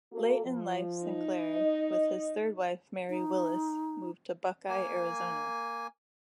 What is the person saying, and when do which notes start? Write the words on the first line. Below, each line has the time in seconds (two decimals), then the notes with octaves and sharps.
Late in life Sinclair, with his third wife Mary Willis, moved to Buckeye, Arizona.
0.13 A#3 F#4 A4
0.45 F3
1.05 D#4
1.55 D#5
3.10 D#4
4.69 A#3 G#5